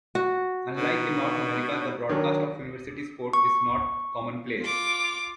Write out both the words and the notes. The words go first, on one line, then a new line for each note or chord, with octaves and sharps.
Unlike in North America, the broadcast of university sport is not commonplace.
F#4
B2 D#4
D#3 F#3 D4
C#6
F4 D6